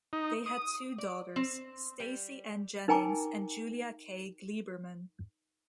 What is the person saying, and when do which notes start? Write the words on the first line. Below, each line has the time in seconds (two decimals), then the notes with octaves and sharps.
They had two daughters, Stacy Ann Jennings and Julia Kay Glieberman.
0.13 D#4
0.46 D#6
0.98 D5
1.36 C4
2.00 G3
2.88 D#4 A#4 G5 G#5 A#5 D6